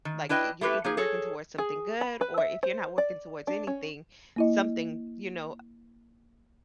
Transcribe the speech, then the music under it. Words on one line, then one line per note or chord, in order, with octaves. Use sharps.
Like, eh, you're either working towards something good or if you're not working towards anything something, you know, uh,
D#3
D4 E4 B4 D#5 G5
A3 E4 G4 B4
A#3 D#4 G#4
G#4 A4 C#5
G#4
B5
B4
E5
C5
D5
D4
C#4
A#3 E4 D#5